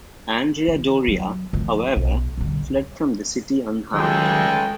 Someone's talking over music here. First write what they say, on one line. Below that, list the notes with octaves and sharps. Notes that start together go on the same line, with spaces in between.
Andrea Doria, however, fled from the city unharmed.
D#3
F#3
F3 A3
B1
D#1 D3
C#2 D#3 F#3 G#3 A3 G5 A#5